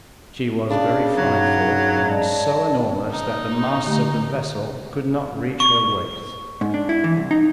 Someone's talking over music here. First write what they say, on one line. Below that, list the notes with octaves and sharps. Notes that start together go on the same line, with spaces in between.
She was very frightful, and so enormous that the masts of the vessel could not reach her waist.
C#3 D4
G2 F#3 D#4
D5 D#5 A5
D#4
D3 A3 G4
C#6
G#2
D4
E4
E3
C2
D#4